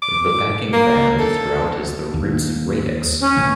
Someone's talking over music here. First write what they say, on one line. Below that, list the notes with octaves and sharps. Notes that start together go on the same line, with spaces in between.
The backing band throughout is the Roots Radics.
D6
A#3
A4
D#2
C#4
A2 D#3 B3